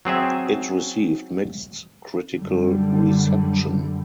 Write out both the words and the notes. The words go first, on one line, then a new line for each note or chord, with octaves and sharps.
It received mixed critical reception.
F#3 C4 G#4 E5
F#2 D3 G3